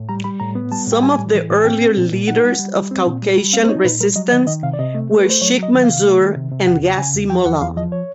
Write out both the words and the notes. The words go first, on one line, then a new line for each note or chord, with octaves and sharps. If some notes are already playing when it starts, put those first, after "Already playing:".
Some of the earlier leaders of Caucasian resistance were Sheikh Mansur and Ghazi Mollah.
Already playing: A2
G3 A#5
G3 B5
A2 A#5
B3
G3 A5
A2
G5
G3 G#5
A2
E3
A2
G#5
C4 G5
C4
A#2
A#2
D#4 F#5
G3
G3
G3
C4
A#2
G3
G3
C4 F5
C5
D#4 C#5
A#2 B4
G3 A#4
F#3 D#5
D#3 D#5
D#3 D#5
C3 F5
D5
C3 D#5
A3
A3
B4
A3 C5
F#3 C#5
F#3 D#5
D#3
C3 F5
A3
D#3
C3
C3
E2 F#5
C#3
C#3 G#5
E2
F3 G5
E2 F#5
E2 F5
F3 D#5
C#5